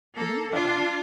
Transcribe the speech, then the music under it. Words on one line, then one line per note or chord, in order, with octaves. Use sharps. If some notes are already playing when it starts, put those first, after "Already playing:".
Mhm, bye-bye.
A#3 A4
D4 F4